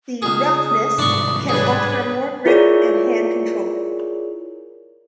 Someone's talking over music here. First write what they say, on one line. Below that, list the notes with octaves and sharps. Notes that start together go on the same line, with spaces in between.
The roughness can offer more grip and hand control.
C#2 G#4 D#6
C2 G#2 D4 C#6
G3 D4 G#4 B4 C#5
E4 F4 G#4 A#4 C#5 D5